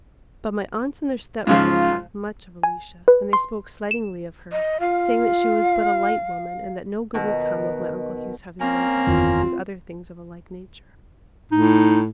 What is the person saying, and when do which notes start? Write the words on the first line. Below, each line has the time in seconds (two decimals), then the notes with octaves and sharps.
But my aunts and their stepmother talked much of Alicia, and they spoke slightingly of her, saying that she was but a light woman and that no good would come of my Uncle Hugh's having wed her, with other things of a like nature.
1.47 G#2 C#3 F3 F4
2.63 G#5
3.08 B4
3.33 C6
3.91 E7
4.52 D#5
4.80 F4 F5
7.14 B2 D#3
8.60 A#3 C4 C#4 A#5
9.07 F#1 E2 D#3 F4
11.52 A2 D#4